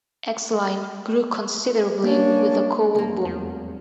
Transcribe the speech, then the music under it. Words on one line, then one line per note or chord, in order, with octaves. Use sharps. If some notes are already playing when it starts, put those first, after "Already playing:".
Exline grew considerably with the coal boom.
G3 A#3 C#4 D4
F1 C2 G#2 A#3
E2